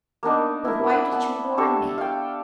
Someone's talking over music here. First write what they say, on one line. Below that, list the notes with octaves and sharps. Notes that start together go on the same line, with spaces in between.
But why did you warn me?
A#3 B3 D4 D#4
E4 A#4
F#5 B5
B3 A5
D4 G4 A4 C#6
F5 G5